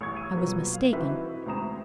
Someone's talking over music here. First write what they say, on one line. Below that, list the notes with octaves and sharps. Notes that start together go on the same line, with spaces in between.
I was mistaken.
A1 C#6 G#6
E6 D#7
B2 F3 F#3 A#3 F#4 B4
F5
E3 C4 D#4 F#4 B4 E5
D2 G#3 C4 A#5 D#6 E7